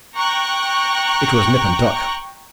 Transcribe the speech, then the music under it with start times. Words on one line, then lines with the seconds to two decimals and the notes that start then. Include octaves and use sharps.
It was nip and tuck.
0.17 G5 A#5 C#6 F#6